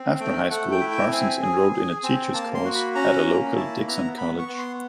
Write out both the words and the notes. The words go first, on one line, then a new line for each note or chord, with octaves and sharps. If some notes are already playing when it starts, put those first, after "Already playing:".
After high school, Parsons enrolled in a teacher's course at a local Dixon college.
Already playing: C4
A3 G5
A3 F#5
G5
E4
G5
C4 G#5
G#4
G#4
C4
A#3 A5
C6
F#4
B5
C#4 A#5
A#3
E4 A5
B3 A#5
B3 B5
C#6
B3
C6